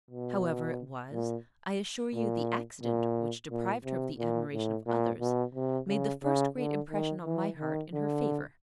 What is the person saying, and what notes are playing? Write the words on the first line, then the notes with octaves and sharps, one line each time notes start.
However it was, I assure you the accident which deprived her of the admiration of others made the first great impression on my heart in her favour.
B2
A#2
A#2
A#2
A#2
C3
A#2
A2
A#2
B2
C3
C#3
C#3
D3
D#3
E3
D#3
D3